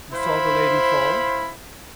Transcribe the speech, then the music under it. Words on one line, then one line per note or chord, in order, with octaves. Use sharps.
"You saw the lady fall?"
E4 C5 F5 B5